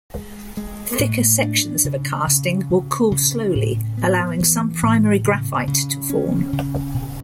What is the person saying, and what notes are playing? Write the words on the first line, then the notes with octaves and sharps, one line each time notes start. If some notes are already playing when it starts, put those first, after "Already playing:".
Thicker sections of a casting will cool slowly, allowing some primary graphite to form.
G#3
G#3
A2
D4
C#3
C#3
C#3
C#3
A2
B3
E3
A2
C#3
C#3
C#4
C#3
B2